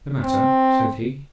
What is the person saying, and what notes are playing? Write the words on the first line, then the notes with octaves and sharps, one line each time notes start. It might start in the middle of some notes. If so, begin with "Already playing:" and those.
'The matter?' said he.
C4